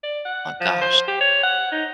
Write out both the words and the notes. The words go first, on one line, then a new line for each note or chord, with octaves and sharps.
Oh gosh.
D5
F#5
F3
C5
G4
C#5
F#5
D#4